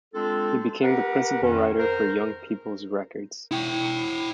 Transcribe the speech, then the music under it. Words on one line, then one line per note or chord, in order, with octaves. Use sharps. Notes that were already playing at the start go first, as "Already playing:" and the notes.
He became the principal writer for Young People's Records.
G#3 C4 D4 F4 A4
G4 A#4 B4 F#5
F2 D#3 C#4
A#4 C5
E4 G5